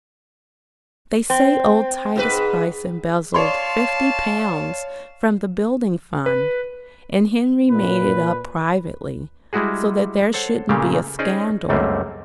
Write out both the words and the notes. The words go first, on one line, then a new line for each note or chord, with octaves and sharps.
'They say old Titus Price embezzled fifty pounds from the building fund, and Henry made it up, privately, so that there shouldn't be a scandal.
C4
G#2 G4 B4
C#5 D5 F5 A5 C6
B4
A#2 B4
G3 G#3 E4 F#4 G#4
A4 C5 C#5 F#5
A#2 C#3 A3 A#3 G4 F5
C#4 D#4 G#4 C5 D5
C#2 F#2 G3 A3 A#3 C4